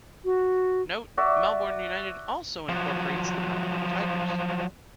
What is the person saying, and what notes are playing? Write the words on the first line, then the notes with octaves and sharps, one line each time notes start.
Note, Melbourne United also incorporates the Melbourne Tigers.
F#4
F#4 D5 E5
F3 F#3